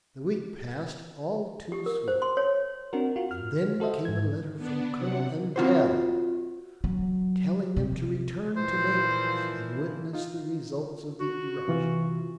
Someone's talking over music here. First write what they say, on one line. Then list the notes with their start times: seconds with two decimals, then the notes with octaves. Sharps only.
The week passed all too swiftly, and then came a letter from Colonel Angeli telling them to return to Naples and witness the results of the eruption.
1.72 G4
1.86 A#4
2.08 C5
2.22 C6
2.37 C#5
2.93 C4 D4 F#4 A#4
3.16 F4 F#4
3.31 F6
3.80 F#4 A4 C5 D#5 E5
4.05 G#2 G#6
4.57 B3 D4
4.96 C3 F#5
5.56 C4 F4 F#4 C5
6.84 F#3
7.77 C3
8.57 A#2 E3 F3 C5
10.13 D#4 F4
11.20 F#4
11.68 C3 E3 F4